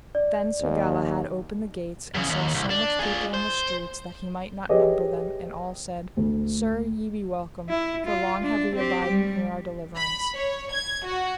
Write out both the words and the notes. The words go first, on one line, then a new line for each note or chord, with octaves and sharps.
Then Sir Galahad opened the gates, and saw so much people in the streets that he might not number them, and all said: Sir, ye be welcome, for long have we abiden here our deliverance.
D5
D#2
E2 C#3
D#2
C2
D4
F4 G#4
C5
G4 G#4 B4 C#5 D#5 E5
D2
E4
F4
D4
C4 G4
G3
B5
C#5
G#6
F#4